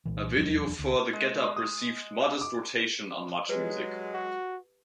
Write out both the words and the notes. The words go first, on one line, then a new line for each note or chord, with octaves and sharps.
A video for "The Get Up" received modest rotation on Much Music.
C2 A#2 E3
E1 D#2 F3 G3
D2
G#3
D#6
D6
F#3 G#3 G4 B4
F#4